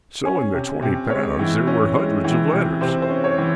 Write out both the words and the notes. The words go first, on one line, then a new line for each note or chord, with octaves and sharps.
So in the twenty pounds there were hundreds of letters.
C#4 G#5
C3
C3
G#3 C#5
E3
C#4
G#3
E3
C3
C3 C5
C5
C#4
C#5
E3